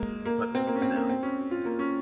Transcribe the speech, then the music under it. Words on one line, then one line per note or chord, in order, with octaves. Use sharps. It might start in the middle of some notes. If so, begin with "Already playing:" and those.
But old now.
Already playing: G#3 A#3
A#3
C4
A#3
C#4
C4
A#3
C4
C#4
F4
A#3
C#4